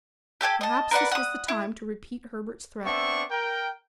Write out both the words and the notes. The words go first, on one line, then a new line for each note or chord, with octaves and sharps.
Perhaps this was the time to repeat Herbert's threat.
G4 A4 G5 G#5
D#5 A5
A#4 B4 D5 F#5
F#5 D#6
E4
B3 C4 D4 E5 C#6
A#4 G5